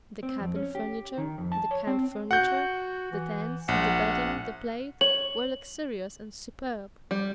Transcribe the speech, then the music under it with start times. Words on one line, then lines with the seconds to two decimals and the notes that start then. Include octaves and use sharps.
The cabin furniture, the camp furniture, the tents, the bedding, the plate, were luxurious and superb.
0.23 C4
0.40 F2
0.56 C#4
0.75 G4
1.18 D#3
1.38 F2
1.52 A5
1.71 C#5
1.87 C4
2.31 F#4 F#5 G6
3.12 E3
3.68 A#1 F#5
5.01 C#5 F#7
7.11 G3